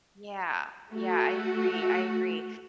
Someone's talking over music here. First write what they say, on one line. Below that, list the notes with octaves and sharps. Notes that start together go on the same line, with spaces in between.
Yeah, yeah. I agree, I agree.
A3 F#4